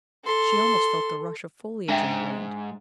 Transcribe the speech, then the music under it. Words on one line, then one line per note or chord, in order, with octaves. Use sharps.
She almost felt the rush of foliage in the wind.
A4 C6
G#2 D4 E5 G5